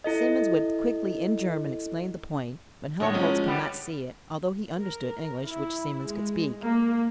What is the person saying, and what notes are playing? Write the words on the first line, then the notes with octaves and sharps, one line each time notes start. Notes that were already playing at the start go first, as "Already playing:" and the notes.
Siemens would quickly, in German, explain the point, but Helmholtz could not see it, although he understood English, which Siemens could speak.
E4 A4 D#5
A2 D3 G#3 C#5
F3 F#3 G#3 C#4
D3 G3 B3
A#4
E4
G#3
A#3